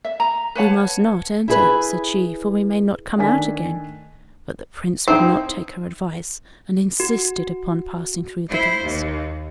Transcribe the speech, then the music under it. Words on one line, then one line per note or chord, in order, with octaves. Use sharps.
"We must not enter," said she, "for we may not come out again." But the Prince would not take her advice, and insisted upon passing through the gates.
E5
A#5
B4 C#5 F#5 A5
E4 G#4 B4
D#3 A3 D4 G#5 B6
C4 D#4 E4 C5
F#4
E4 C5
D#2